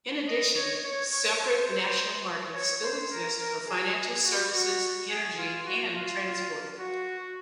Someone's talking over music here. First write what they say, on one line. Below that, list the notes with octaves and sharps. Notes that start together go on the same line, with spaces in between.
In addition separate national markets still exist for financial services, energy and transport.
D#5
C#5
C#5
C#5
C5
C#5
C5
A#4
A#4
G#4
F#4
F#4
G#4
F4
F#4
F4
F#4